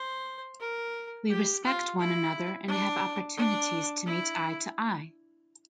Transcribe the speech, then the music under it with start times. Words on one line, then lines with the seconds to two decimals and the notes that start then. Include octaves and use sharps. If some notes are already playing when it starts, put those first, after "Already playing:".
We respect one another and have opportunities to meet eye-to-eye.
Already playing: C5
0.60 A#4
1.30 G4
1.64 F4
1.99 E4
2.68 D4
3.36 D4
4.06 E4